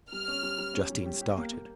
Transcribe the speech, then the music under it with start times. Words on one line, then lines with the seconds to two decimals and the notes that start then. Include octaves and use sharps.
Justine started.
0.11 G3 F6
0.28 C#4
0.43 G3
0.58 G3
0.74 C#4
0.90 G3
1.06 G4
1.21 G4
1.37 A#3
1.53 A#3